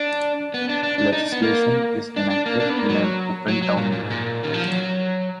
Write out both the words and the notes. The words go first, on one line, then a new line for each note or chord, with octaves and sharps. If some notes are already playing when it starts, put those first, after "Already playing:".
Legislation is enacted in an Open Town Meeting.
Already playing: D4
B3
D4
D4
D4
D#4
B3
A#3
D4
D4
A#3
D4
B3
A#3
F#3
F#3
F#3
A#2
A#2
G#2
A#2
D#3
F3
F#3